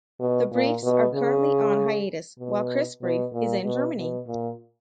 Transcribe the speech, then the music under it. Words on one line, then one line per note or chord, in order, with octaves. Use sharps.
The Briefs are currently on hiatus while Chris Brief is in Germany.
B2
A#2
B2
C#3
B2
B2
A#2
B2
B2
A#2